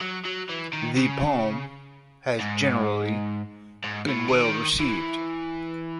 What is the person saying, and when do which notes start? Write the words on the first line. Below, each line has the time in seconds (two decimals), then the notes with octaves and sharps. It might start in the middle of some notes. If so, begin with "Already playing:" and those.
The poem has generally been well received.
0.01 F#3
0.25 F#3
0.49 E3
0.73 D#3
0.97 C#3
2.40 G#2
3.84 G#2
4.08 A2
4.28 C#3
4.33 D#3
4.80 E3